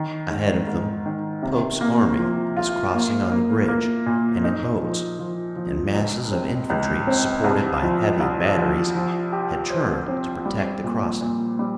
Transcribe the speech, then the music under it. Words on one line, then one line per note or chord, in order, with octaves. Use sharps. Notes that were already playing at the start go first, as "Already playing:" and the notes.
Ahead of them Pope's army was crossing on the bridge and in boats, and masses of infantry supported by heavy batteries had turned to protect the crossing.
Already playing: D#3
G#2
G#2
D#3
C3
A#3
F3
F4
A#3
A#3
A#3
A#2
D#4
F3
F3
F3
C#2
C4
C#2
C4
C2
F3
C2
F3
F3
G4
C5
C4
G3
A#2
A#2
G3